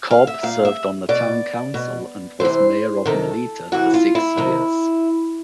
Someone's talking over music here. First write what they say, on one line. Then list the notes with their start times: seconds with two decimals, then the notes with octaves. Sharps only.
Cobb served on the town council and was mayor of Melita for six years.
0.11 F5
0.27 E5
0.43 A#2 F5
0.65 E5
1.09 B2 D5
1.74 B2
2.40 C3 E3 C5
3.06 C3 D#3 A4
3.72 C3 E3 F#4
3.94 F4
4.15 E4
4.37 C3 D#3